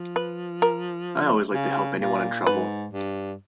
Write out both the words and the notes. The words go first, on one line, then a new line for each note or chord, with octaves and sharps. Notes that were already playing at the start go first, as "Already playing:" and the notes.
I always like to help anyone in trouble.
Already playing: F3
B4
A#4
C#3
A#2
G#2 B4
G2